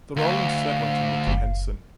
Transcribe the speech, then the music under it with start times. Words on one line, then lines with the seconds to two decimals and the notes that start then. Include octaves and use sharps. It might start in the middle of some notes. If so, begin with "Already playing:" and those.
The role instead went to Nicky Henson.
0.16 D2 F5
1.27 F#1